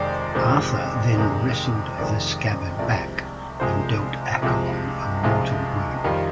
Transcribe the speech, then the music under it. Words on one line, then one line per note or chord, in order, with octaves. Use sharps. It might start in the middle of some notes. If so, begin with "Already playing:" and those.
Arthur then wrestled the scabbard back and dealt Accolon a mortal wound.
Already playing: F2 C3 D#3 G#3 C5 D5
F2 C3 D#3 G#3 C5
F2 C3 D#3 G#3
F2 C3 D#3 G#3 D5
C2 C3 F3 G#3 D5
C2 C3 F3 G#3 C5
C2 C3 F3 G#3
C2 C3 F3 G#3 F4
F2 D#3 G3 F4